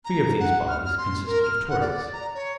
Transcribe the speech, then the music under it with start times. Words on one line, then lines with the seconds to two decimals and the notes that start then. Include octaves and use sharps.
Three of these bodies consisted of Tories.
0.05 A#5
0.40 F#5
0.68 F6
0.84 F6
0.98 C6
1.26 A#4
1.43 F6
1.69 F#5
1.81 D5
2.13 A#5
2.35 C#5